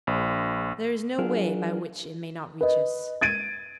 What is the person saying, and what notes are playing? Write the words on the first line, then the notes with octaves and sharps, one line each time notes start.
There is no way by which it may not reach us.
A#1
F#3 D4 F4 G#4 A#4
B4 D#5
G#6 A6 D7 D#7